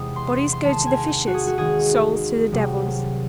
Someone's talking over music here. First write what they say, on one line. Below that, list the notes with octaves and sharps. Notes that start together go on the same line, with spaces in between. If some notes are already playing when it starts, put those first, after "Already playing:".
Bodies go to the fishes, souls to the devils.
Already playing: E2 C3 E3 G#3 D#6
C6
C6
E2 D#3 G#3 A5
G#5
F#4
G#4
F#4
D#2 D#3 G#3 G#4
C2 C3 F#3